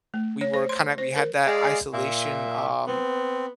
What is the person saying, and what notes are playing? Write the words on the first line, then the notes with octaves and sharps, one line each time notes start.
we were kinda we had that isolation, um,
A3
C#5
C5
C6
C5
A#4
G#3 G#4 D5 F5
A#2 E5
B3 C4